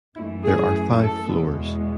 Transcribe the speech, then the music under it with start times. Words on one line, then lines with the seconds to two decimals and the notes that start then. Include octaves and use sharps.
There are five floors.
0.17 F#2 E3 A3 E4
0.45 G#4
1.02 A4
1.29 E2 B2 G#3 B3